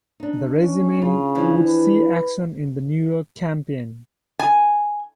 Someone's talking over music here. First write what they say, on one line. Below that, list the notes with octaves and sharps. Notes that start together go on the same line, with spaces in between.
The regiment would see action in the New York Campaign.
D4 D#4
C#4
C#3 F4
E3 F3 D4
B4
G#5